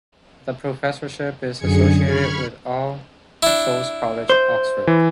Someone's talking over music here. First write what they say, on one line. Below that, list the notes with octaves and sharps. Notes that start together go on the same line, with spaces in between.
The professorship is associated with All Souls College, Oxford.
F#2 D3 G#4 G#6 C#7
B5 C#6 F6 G#6
D4 E4
C5
E3